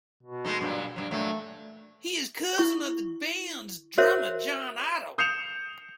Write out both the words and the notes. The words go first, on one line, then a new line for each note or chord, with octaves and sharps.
He is the cousin of the band's drummer, John Otto.
B2
G#3 A3 D#4
G2 A#2 F#3
G2 F#3
G2 A#2 F#3 A3
E4 C#6
F#4 A#4 C5 C#5 E5
D#6 G6 C7 C#7 E7 F7